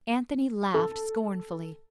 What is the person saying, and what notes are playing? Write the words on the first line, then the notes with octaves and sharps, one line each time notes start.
Anthony laughed scornfully.
A4